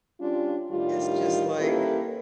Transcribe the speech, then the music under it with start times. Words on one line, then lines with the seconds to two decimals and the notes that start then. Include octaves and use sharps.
it's just, like
0.20 G3 C#4 D4 F4
0.71 A2 D#3 G3 D4 F4 G4
1.59 A#3 C#4 E4 G4 A4 B4